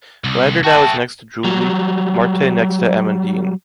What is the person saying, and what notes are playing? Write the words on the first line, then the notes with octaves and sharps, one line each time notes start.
Landernau is next to Julie, Marthe next to Amandine.
C2
A3 F#4 G#4 G5 A5
F#3 G3